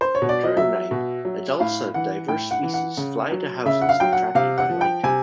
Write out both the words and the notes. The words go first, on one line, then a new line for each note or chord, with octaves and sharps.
During night, adults of diverse species fly to houses attracted by light.
C5
C#5
B2
D5
D#5
F#3 E5
B2
F#3
A2 F5
E3 F#5
A2 G5
F#5
E3
F#5
C#3
F#3
C#3 E5
F#5
F5
F#3 G5
F#5
C3 F5
F#5
F3
G5
C3 G#5